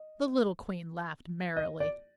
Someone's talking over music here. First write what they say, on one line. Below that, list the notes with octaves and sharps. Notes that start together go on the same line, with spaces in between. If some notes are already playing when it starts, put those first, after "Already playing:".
The little Queen laughed merrily.
Already playing: D#5
D#5
D5